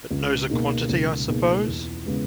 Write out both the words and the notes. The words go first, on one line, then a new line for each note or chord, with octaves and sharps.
But knows a quantity, I suppose?
C#2
B2 A#3 D#4 G#4
C#2
B2 A#3 D#4 G#4
E2
C#3 G#3 B3